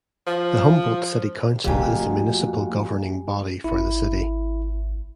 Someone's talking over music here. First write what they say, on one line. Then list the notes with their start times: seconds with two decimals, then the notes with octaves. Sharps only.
The Humboldt City Council is the municipal governing body for the city.
0.27 F3
1.64 F2 A#2 C#3 A3 C4 F#4 G4 G#5
3.64 G#1 E4